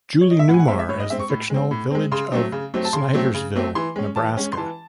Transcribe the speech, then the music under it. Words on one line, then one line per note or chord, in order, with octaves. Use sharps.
Julie Newmar as the fictional village of Snydersville, Nebraska.
C#5
D#5
E5
A2 F#5
G#5
F#5
G#3 C4 E5
E5
A2 C#5
D#5
G#3 C4 E5
C#6
A2
G#3 C4
A2
G#3 C4
C#3 C6
F#3 A3 C4
C#3
F#3 A3 C4
A5
C#3 C6
F#3 A3 C4
C#3
F#3 A3 C4
E3 C6
G#3 C#4
E3 A5
G#3 C#4
C6
E3 A5